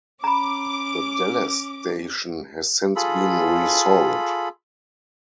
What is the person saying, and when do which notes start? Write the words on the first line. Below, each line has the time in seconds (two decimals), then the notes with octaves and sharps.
The Dallas station has since been resold.
0.24 C#4 A#5 B5 D6
2.96 F4 G#4 A4 B5